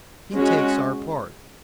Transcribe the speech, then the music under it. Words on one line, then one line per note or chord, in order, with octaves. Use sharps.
He takes our part.
G#3 C#4 F#4